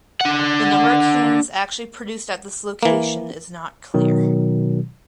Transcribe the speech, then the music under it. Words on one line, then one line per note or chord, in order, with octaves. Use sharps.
The number of cannons actually produced at this location is not clear.
D4 F#5
E3 A#3
B2 D#3 F#3